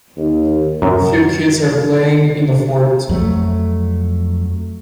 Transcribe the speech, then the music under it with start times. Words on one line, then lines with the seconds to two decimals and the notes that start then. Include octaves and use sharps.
A few kids are playing in a fort.
0.17 D#2
0.82 F#2
3.09 F2 F#3 A3